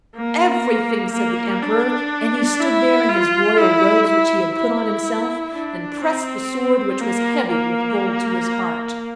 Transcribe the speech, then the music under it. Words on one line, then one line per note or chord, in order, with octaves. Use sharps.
"Everything!" said the Emperor; and he stood there in his royal robes, which he had put on himself, and pressed the sword which was heavy with gold to his heart.
A#3
A#3
D4
E4
F4
E4
E4
E4
D4
C4
A#3
A#3